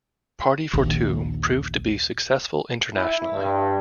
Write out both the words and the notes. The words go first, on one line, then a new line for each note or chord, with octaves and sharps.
"Party for Two" proved to be successful internationally.
A#1 D#2
E4
G2